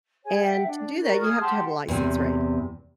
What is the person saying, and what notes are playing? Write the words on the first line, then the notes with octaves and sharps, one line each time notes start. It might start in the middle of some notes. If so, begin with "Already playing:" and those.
and to do that, you have to have a license, right?
G#4 C#5 G#5
E5 F#5 G5
D4
F#4 A#4 D5
G#4 D#6 F6
G4 F#5 A5 C6
E2 C3